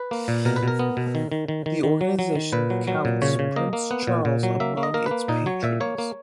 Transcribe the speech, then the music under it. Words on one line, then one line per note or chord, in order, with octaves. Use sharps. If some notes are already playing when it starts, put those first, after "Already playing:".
The organization counts Prince Charles among its patrons.
Already playing: B4
A#3
A#2
B2 A#4
B4
B2 A#4
B3
B2
D#3
D#3
D#3
D#3
D#3
F#3
F#3
D#3
A#2 B4
F#3
F#3
A#2
C#3 C#5
C#3
A#3 D#5
A#3
B3 F#5
A#2
A#2
F#3
A#3 E5
A#3
D#5
A#3 A#4
A#3 B4
A#2 D#4
F#3 C#5
A#2 E5
A#3 C#5
A#3